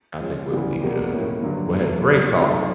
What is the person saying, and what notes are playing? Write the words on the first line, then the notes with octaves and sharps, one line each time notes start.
I think we'll be good. Well, hey, great talk.
F3 G#3 C#4
D2 C#3 E3 G3 B3
E2 B2 G3 A#3
A2 F3 A#3 C#4
G2 D3 F#3
C2 B2 F#3 A3
C2 B2 G3 B3
D#3 F#3 A3 C4 F4